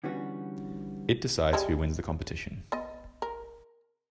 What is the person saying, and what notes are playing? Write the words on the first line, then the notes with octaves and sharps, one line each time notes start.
It decides who wins the competition.
D3 E3 G3 B3 C#4 F#4
G3 G#3 E4
B3 D#5
A#4